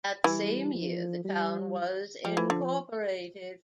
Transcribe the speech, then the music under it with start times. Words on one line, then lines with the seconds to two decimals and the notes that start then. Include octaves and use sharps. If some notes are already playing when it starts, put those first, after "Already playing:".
That same year, the town was incorporated.
0.24 E3 G3
0.74 F3
1.25 G3
2.25 F3 G3
2.37 E3
2.50 D3